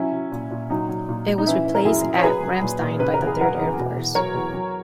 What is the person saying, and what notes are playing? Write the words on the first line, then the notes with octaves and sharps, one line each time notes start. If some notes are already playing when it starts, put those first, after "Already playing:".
It was replaced at Ramstein by the Third Air Force.
Already playing: F#3 C#4 E4
F#3
A#2
A#2
F#3 D#4
F#3
A#2
A#2
D#4
E3 C#4 E4
E3
A#4
F#2 E4 G#4
F#2
C#5
F#3 G#4 B4
F#3
A#2
A#2
C#3 B4
A#4
E2
G#4
F#3 F#4 A#4
E2
B2
E2
F#3 A#4 C#5
E2
F#3